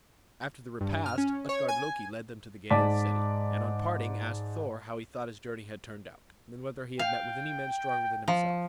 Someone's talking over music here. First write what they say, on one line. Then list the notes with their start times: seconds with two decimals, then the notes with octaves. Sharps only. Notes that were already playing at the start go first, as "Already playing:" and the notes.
After the repast Utgard-Loki led them to the gate of the city, and on parting asked Thor how he thought his journey had turned out, and whether he had met with any men stronger than himself.
0.81 G2
1.06 F6
1.18 C#4
1.49 C#5
1.68 G#5
2.70 G#2 D5 A5 D6 B6
6.99 F5 G5
8.28 F3